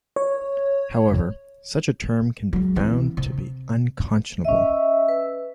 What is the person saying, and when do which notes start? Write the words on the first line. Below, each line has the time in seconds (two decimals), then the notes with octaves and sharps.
However, such a term can be found to be unconscionable.
0.16 C#5
2.53 C#2 F#3
2.76 E3 C4
3.17 C3
4.45 C#4 D#5 E5
5.08 B4